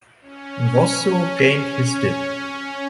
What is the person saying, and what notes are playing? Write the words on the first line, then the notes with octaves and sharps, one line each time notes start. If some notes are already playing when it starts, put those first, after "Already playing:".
Nwosu gained his Dip.
C#4
C#4